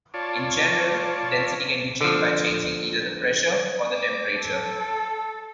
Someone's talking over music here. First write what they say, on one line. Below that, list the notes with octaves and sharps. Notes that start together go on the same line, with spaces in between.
In general, density can be changed by changing either the pressure or the temperature.
F4 C#5 D5 A5
D3 F3
D6
A4